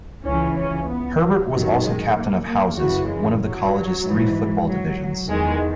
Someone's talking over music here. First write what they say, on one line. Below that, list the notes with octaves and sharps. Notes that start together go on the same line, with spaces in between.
Herbert was also Captain of Houses, one of the College's three football divisions.
C#2 C#3 E3 C#4
C#4
B3
F#3
F#2 D#3 F#3
G#3
A#3
A#3
F#2 C#3 E3 F#4
G#3
F#3
G#2 E3
F#3
E2 D#3 G#3